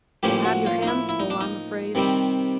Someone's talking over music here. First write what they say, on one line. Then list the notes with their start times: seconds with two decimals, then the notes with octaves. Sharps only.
You'll have your hands full, I'm afraid.
0.23 A2 F3 A#3 C#4 G4
0.45 F#4
0.66 F4
0.82 D#4
0.87 E4
1.09 E4
1.20 D#4
1.30 D4
1.41 D#4
1.95 C3 D#3 G3 C4